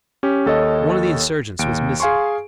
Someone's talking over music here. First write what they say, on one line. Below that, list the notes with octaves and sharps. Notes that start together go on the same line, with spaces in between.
One of the insurgents was missing.
C#4 G4
D#2 A4 C#5 D#5
D#2 D7
G#4 F5 G#5 C6 C#6